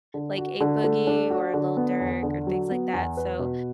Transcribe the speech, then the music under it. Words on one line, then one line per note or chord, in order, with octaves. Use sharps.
like A-Boogie or Lil Durk or things like that, so
D3
F#4
D3
A3
D4
F#4
D3
B3
E2
D3
F#3
B3
E2
B4
B2